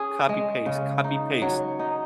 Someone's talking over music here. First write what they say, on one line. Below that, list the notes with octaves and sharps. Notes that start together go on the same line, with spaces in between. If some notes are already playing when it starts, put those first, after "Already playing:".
copy, paste, copy, paste.
Already playing: C#4 G#4
G#3
C#3
D#4
F#3
D#4